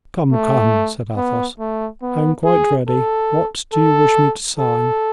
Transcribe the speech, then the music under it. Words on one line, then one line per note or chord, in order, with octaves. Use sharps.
"Come, come," said Athos, "I am quite ready; what do you wish me to sign?"
A3
B3
A3
B3
G#4
A4
A4
A4